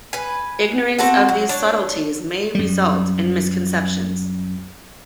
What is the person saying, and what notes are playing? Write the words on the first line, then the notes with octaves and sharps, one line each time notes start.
Ignorance of these subtleties may result in misconceptions.
B4 G#5
C4 F#4 A4 F#5
F#3
D4 C#5
F#2 G3